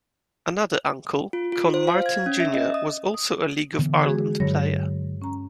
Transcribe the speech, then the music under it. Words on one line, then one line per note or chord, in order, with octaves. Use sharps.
Another uncle, Con Martin Junior, was also a League of Ireland player.
F4
F4
C5
F5
G#6
C#4
E5
D#5
D#6
D#6
D3 E3 B3
G#3 F#4 G#4
G2 D3 F#3 C#5 A#6
C#4 A#5